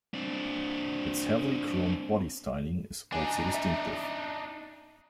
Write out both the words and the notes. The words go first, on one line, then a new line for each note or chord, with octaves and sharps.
Its heavily chromed body styling is also distinctive.
C4 D4
D4 D#4 G#5
E5